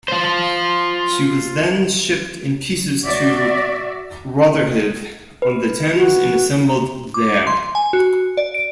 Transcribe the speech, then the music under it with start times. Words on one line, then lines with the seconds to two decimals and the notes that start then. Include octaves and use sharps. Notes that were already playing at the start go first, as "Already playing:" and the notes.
She was then shipped in pieces to Rotherhithe on the Thames and assembled there.
0.08 F4 C5
3.03 F#4 D5 E5
5.42 B4
5.95 F#4
7.14 D6
7.47 C6
7.75 G#5
7.93 F#4
8.37 D5
8.54 D7